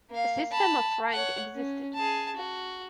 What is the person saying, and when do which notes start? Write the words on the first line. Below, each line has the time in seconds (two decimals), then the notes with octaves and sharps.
A system of rank existed.
0.10 A#3 F5
0.51 A5 B5
1.12 C#5 F#5
1.54 C#4
1.95 G#4 A5
2.36 F#4